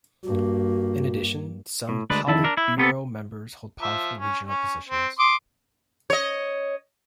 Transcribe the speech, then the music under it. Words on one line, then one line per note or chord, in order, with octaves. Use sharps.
In addition, some Politburo members hold powerful regional positions.
G2 A#3 F#4
A2
D2 G#3 D4 B4
F2 D#3 E4 A5
D4 A#4
E4
C3 B3 G4 A4
F3 E5
C#4
C#4
C4
C6 D6 D#6
C#5 D#5